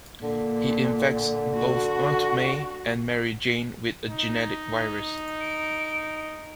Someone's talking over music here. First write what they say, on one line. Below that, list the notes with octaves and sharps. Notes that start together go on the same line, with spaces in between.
He infects both Aunt May and Mary Jane with a genetic virus.
A#2 D3
F#4
D#4
D7